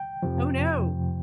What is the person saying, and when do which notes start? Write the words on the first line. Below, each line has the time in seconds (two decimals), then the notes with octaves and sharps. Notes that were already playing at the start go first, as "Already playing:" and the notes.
Oh, no.
Already playing: G5
0.23 F2 C3 F3